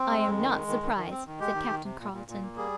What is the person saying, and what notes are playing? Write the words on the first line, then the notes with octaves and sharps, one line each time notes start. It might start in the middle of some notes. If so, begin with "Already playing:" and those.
"I am not surprised," said Captain Carleton.
Already playing: C4
G#3
F2
D#3
G#3
D#3
D#3
D#3
C4
D#3
G#3 G4
D#3
D#3
C3
A#2
A#2
A#2
A#3
G3 G#4